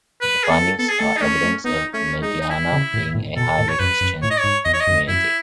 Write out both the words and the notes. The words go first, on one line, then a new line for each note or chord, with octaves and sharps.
The findings are evidence of Mediana being a highly Christian community.
B4
G#4
B3 A4
B3 A4
G#4
A3 A4
D#4
A3 C#4
A3
B3 D#4
A3 C#4
G#3 D#4
D#4
E4
C#3
A2
A2
B2 A4
A2
C#5
F#2 B4
F#2
A2 C#5
D#5
G#2 C#5
E2 D#5
C#5
D#5
F#2
F#2 E4